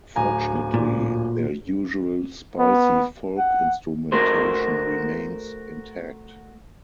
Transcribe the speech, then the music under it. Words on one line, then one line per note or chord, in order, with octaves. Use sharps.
Fortunately, their usual spicy folk instrumentation remains intact.
D1 G#5 A#5
A#2
B3
F#5
A3 F#4 A#4 C5